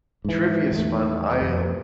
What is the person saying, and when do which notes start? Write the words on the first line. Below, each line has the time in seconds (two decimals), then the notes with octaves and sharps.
Trivia's fun. I, um
0.25 G#2 E3
0.72 E2 D#3 A3
1.41 F2